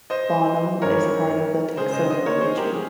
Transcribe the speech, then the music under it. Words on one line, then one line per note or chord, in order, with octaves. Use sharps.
Bonham is part of the Texoma region.
C5 D#5
G2 D#3 G#3 C4 A#4 C#5
C#3 G#3 C4 G#4 C5
C5 D#5
C5 D#5
A#4 C#5
G#4 C5
G4 A#4
G#4